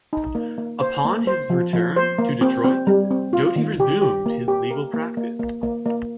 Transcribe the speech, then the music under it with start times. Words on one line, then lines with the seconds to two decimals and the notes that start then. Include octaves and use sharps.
Upon his return to Detroit, Doty resumed his legal practice.
0.13 D#4
0.35 A#3
0.58 A#3
0.81 C5
1.04 A#3
1.27 C5
1.50 F3
1.73 F3
1.96 C5
2.18 A#3
2.41 C4
2.64 C4
2.87 G3
3.11 C4
3.33 F4
3.56 D#3
3.80 G4
4.02 G4
4.26 A#3
4.48 G4
4.71 A#4
4.94 A#3
5.17 A#3
5.40 A#3
5.63 A#3
5.86 A#3